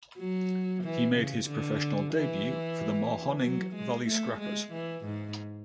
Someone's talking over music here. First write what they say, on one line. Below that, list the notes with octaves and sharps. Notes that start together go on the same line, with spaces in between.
He made his professional debut for the Mahoning Valley Scrappers.
F#3
E3
C#3
D3
E3
F#3
G#3
A3
G#3
E3
G#2